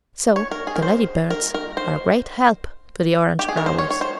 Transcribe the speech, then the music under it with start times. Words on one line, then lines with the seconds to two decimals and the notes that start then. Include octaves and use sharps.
So the lady-birds are a great help to the orange-growers.
0.36 C#5
0.51 A#4
0.67 G#4
0.76 A#4
0.82 C5
1.30 A#4
1.54 A#4
1.77 C5
3.39 G4
3.49 G#4
3.57 A#4
3.66 C5
3.78 C#5
3.91 C#5
4.01 C5